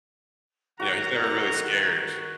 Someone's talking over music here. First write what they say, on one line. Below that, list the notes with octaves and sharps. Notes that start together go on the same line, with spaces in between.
you know, he's never really scared,
D#3 F#4 F5 F#5 A#5 F#6